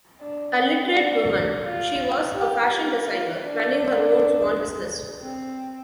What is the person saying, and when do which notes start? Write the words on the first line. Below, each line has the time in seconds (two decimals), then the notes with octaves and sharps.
A literate woman, she was a fashion designer, running her own small business.
0.20 D4
0.56 C4
0.91 D4
1.63 F4
2.34 G4
2.70 F4
3.06 F4
3.42 D4
5.21 C4